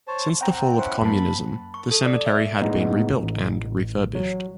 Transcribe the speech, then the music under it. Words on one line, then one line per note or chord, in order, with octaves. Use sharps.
Since the fall of communism, the cemetery had been rebuilt and refurbished.
C5 C#5 A5
C4 F#5 G5 A#5
C#4 E4 C5 F#5
F#2 A#3 A5 B5
C#6
A4
D5
E5
A2 G#3 B3 D#4
A1
F#3